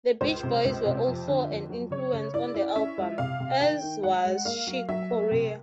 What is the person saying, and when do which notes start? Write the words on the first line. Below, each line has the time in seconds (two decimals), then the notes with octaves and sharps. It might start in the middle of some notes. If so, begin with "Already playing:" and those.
The Beach Boys were also an influence on the album, as was Chick Corea.
0.21 C#2 C5
0.43 C3
0.64 C#2
0.86 C3
1.07 F2
1.28 D3
1.49 F2
1.70 F#3
1.91 C#3 C#5
2.13 C#3
2.34 E4 D5
2.54 E4
2.76 C#4 E5
2.98 G#3
3.18 C3 F5
3.40 C3
3.61 D#3 G5
3.82 D#3
4.03 G#3 F#5
4.25 G#3
4.45 A#3 F5
4.67 F#3
4.89 F#3 E5
5.10 A#3
5.31 C3